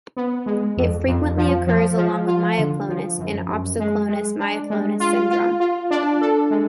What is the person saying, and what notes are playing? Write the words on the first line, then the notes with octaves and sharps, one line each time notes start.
It frequently occurs along with myoclonus in opsoclonus myoclonus syndrome.
B3
G#3
F2
F2
F3
F3
F3
F4
D3
F3
F#2
F#2
G#3
G#3
D4
G#3
F4
F4
F4
D4
A4
G#3